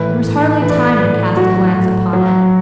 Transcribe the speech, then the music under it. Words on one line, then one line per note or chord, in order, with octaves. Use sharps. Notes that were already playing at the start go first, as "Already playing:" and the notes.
There was hardly time to cast a glance upon it.
Already playing: A2 E3 B4
A2
E3 B4
D5
B4
A2 B4
F#3 F#4
F#4
A2
F#3